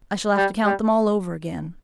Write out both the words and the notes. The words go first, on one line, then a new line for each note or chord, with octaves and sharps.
I shall have to count them all over again.
G3
G3